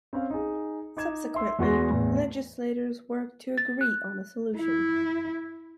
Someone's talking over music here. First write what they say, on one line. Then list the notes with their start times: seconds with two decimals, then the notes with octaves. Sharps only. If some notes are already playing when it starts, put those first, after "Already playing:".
Subsequently, legislators worked to agree on a solution.
0.13 C4 C#4 F5
0.30 D#4 G#4
0.97 D#4 D6 G#6 E7
1.35 E5 C6 E6
1.59 E2 G#3 F#4 G#4 C6 A#6
1.90 A1 E2 A2
3.58 A6
3.81 F#6
4.57 E4